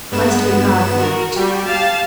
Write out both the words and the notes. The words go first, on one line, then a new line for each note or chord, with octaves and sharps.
Blessed be God for it!
G2 G#3 B3 E7
F#4 A#4
G3 F#4 G4
F5 A5